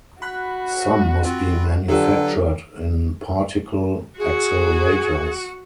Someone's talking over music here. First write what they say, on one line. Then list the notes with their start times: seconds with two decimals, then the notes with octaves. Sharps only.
Some must be manufactured in particle accelerators.
0.22 F#4 B5 F#6 B6
1.24 C4 F4
1.88 D3 F#3 F4 G4 A4 B4 G5
4.18 F#4 G#4